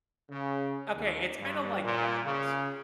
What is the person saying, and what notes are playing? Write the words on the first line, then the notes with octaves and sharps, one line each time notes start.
Okay, it's kinda like that.
C#3
D#2
G2
A#2
C#3